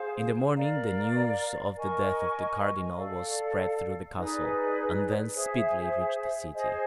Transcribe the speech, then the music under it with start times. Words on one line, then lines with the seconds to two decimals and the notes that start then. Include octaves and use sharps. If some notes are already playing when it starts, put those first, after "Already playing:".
In the morning, the news of the death of the cardinal was spread through the castle, and thence speedily reached the city.
Already playing: G#4 C5 F5
0.55 A#4 D5 F5 A#5
1.75 A#4 D#5 G#5 C#6
2.94 A4 D5 F5
4.15 D#4 G#4 B4 D5
5.33 G#4 C5 E5
6.53 G#4 C5 D#5 G#5